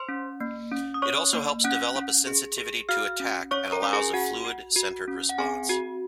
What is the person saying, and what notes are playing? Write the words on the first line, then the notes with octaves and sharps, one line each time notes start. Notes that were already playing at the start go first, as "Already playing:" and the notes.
It also helps develop a sensitivity to attack and allows a fluid, centred response.
Already playing: C5 C6
C#4
A#3
C#4
D#6
C#4 C#5 C#6
A#3
C#4 F#5 F#6
C#4
G#4
G#4
F#4 F5 F6
C#4
C#4 C#5 C#6
A#4 A#5
C#4
G#4 G#5
F#4 F#5
F#4
F#4
C#4
F#5
C4 G#4 G#5
F#4